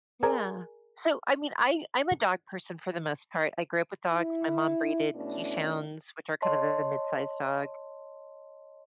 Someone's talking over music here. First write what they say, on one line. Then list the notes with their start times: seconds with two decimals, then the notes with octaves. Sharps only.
Yeah. So, I mean, I I'm a dog person for the most part, I grew up with dogs, my mom breeded Keeshonds, which are kind of a mid-sized dog.
0.23 G#4 A#4 D5 G#5 A#5
4.10 E4
5.15 B2 A3 C#4 D4 E4
6.42 C#5 D#5 A5 C6